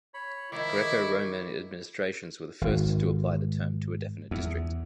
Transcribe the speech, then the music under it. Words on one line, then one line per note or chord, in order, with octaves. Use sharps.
Greco-Roman administrations were the first to apply the term to a definite district.
C#5 B5
D#3 F3 D#4 E4 A#4 B5 C#6 D6
G#1
E2